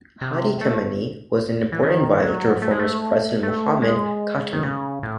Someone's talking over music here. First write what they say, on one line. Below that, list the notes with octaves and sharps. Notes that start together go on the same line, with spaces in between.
Hadi Khamenei was an important adviser to reformist President Mohammad Khatami.
C3
A3
E3
D#3
F#3
A3
G#3
A3
A3
G#3
D#3
C#3
A2